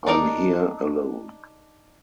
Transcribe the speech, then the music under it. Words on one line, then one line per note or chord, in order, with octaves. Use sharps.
I’m here alone.
D4 D#4 A#4 D5